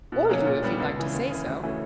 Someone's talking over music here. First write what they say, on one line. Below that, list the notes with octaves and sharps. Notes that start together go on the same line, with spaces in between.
"Or you, if you like to say so."
B2
F#3 A#3 C#4
A#2
G3 B3 D4
C#2
C#3 E3
D#2
C#3 E3
D2
C#3 E3 A3 C#4